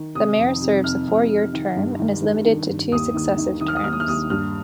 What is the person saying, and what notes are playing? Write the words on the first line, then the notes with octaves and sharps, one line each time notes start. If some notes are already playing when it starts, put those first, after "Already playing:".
The mayor serves a four-year term and is limited to two successive terms.
Already playing: D#3
C3 D#6
F2
C3
F2 F6
F2
C3
D#3
G2
D#3
D#3
D#3
G2
D#2 D#6
D#3
D#3
D#3 D#6
F6
D#6
D#2 F6
D#6
F6
D#2 D#6
G2 F6